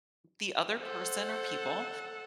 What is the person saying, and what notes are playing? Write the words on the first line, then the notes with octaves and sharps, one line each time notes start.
the other person, or people,
A4 C5 F#5